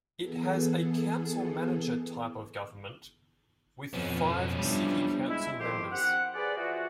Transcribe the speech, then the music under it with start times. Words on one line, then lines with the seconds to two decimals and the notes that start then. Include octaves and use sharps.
It has a council manager type of government with five city council members.
0.21 E3 B3 G#4 A4
3.94 F2 B2 F3 C#4
4.59 G3 B3 D4 E4
5.27 G#3 E4
5.59 F2 D#3 F3 G4 C5
5.92 C4 G4 F#5
6.35 G#4 B4 C5 D5
6.57 E3 F4 F#4